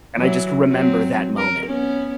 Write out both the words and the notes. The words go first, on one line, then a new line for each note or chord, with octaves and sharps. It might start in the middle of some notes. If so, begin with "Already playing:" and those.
and I just remember that moment.
E3 F#3
F#3 C4
A#4
B3 C#4